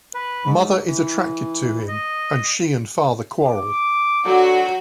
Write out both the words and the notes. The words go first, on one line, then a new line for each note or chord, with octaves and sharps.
Mother is attracted to him, and she and Father quarrel.
B4
G#2
E3
D#5
D6
D3 F#3 F#4